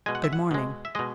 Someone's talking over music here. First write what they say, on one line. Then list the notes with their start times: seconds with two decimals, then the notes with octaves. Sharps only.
"Good morning."
0.06 B2 G#3 G#5
0.15 F#5
0.24 E5
0.33 F#5
0.51 B2 G#3
0.85 E5
0.95 B2 G#3 D#5